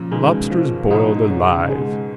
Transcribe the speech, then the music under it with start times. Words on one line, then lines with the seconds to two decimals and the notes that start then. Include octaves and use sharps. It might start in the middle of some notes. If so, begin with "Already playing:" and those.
Lobsters boiled alive.
Already playing: A#2 C#3 F3
0.11 B2 D#3 G#3
0.51 F3
0.90 G#2 B2 D#4
1.30 C#3
1.70 G#3